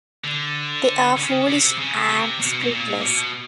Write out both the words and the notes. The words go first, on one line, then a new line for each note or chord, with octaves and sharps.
They are foolish and spiritless.
D3
C#3
C3
C#3
C3
B2
B2
A#2
B2